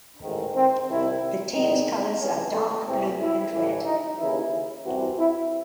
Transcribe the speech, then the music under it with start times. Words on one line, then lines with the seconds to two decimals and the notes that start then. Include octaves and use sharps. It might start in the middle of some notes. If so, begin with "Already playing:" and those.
The team's colours are dark blue and red.
0.23 A1 G#2 D#3
0.56 C4
0.88 C2 C3 D#3 E4
1.54 E2 C3 D#3 D#4
2.21 C#2 C3 E3 C#4
2.54 A3
2.87 E2 C3 E3 C4
3.21 E4
3.53 A1 A2 E3
3.86 D#4
4.19 D#2 C#3 E3 E4
4.85 C2 C3 E3 F#4
5.19 E4